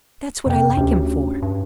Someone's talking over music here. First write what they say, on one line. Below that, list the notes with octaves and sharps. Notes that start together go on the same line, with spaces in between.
"That's what I like him for."
F2 C3 G5
D2 C#4 D4 G4
G2